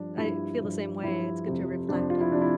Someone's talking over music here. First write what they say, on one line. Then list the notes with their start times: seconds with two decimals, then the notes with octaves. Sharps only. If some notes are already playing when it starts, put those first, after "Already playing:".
I feel the same way, it's good to reflect on,
Already playing: G2 F3 D4
0.17 G2 F3 E4
0.61 G2 F3
1.03 G2 F3 E4
1.46 F2 C3 F3
1.89 F2 C3 F3 D4
2.10 F4
2.21 E4
2.31 C3 F3 D4
2.42 E4